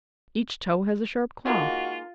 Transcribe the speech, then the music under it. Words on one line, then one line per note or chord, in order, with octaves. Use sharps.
Each toe has a sharp claw.
D#3 G#3 A#3 F4 F#4